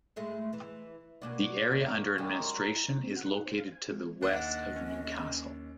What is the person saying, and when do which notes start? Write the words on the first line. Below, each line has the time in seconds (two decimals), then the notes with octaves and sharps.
The area under administration is located to the west of Newcastle.
0.16 A2 G#3 A3
0.53 E3
1.22 B2 A#3 D4 F#4 D5 G#5
1.86 A#4 C#5 F5
2.18 F#2 D#3 F#3 G3 C#4
2.32 F#3 G#3
2.76 E4
2.89 D4
3.04 C4
3.16 F#5
3.31 D#4
3.46 C5
3.58 F5
3.72 G#5
3.90 G#3
4.22 D#2 D4 D#5 F#5
4.76 C#4